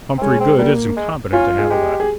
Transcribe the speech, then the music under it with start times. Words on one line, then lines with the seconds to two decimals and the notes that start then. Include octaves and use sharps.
Humphrey Goode isn't competent to handle that.
0.18 C4
0.22 G#3 C#4
0.41 C4
0.59 G3 A#3
0.96 G#3
1.32 C#4 F4
1.58 G#4
1.70 G#3 G4
2.00 G#4